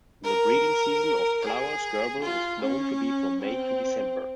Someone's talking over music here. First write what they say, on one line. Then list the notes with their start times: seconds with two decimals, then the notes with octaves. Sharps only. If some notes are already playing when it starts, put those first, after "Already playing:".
The breeding season of Flower's gerbil is known to be from May to December.
0.24 A#4
1.43 G#4
2.22 F4
2.62 C#4
3.41 C4